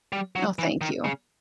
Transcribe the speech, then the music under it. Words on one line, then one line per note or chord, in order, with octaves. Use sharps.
Oh, thank you.
G3
F#3
E3
D#3
C#3